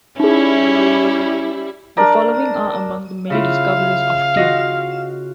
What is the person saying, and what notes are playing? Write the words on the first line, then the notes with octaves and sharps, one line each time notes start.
The Following are among the many discoveries of Timm.
G3 C#4 D#4 E4 G#4
D4 A#4 D5 A#5
C#3 E4 F4 F5
F4 F#4 D#5